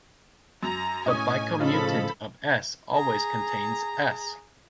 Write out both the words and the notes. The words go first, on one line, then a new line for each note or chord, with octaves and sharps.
The bicommutant of "S" always contains "S".
F#2 A#5
A2 C#4 D#5 G#5 C#6 D#6
C#3 F3 C#4 D#4 F4 A4 B5
G#4 A#5